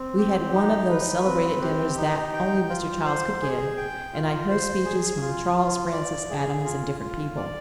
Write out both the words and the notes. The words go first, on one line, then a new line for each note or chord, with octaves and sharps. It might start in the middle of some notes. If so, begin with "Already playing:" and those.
We had one of those celebrated dinners that only Mr. Childs could give, and I heard speeches from Charles Francis Adams and different people.
Already playing: C4
G4
D#4
B4
C4
G4
D#4
G5
F4
C5
G#4
G5
F4
C5
G#4
F4
F4
D5
G#4
F4
F4
D5